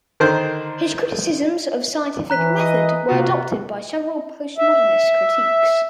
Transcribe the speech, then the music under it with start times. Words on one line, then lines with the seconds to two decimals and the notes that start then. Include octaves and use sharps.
His criticisms of scientific method were adopted by several postmodernist critiques.
0.20 D3 D#3 A#4 C5
2.30 E3 A#5 F#6 B6
2.59 D#5
3.08 C3 A#3 F4 F#4
4.58 E5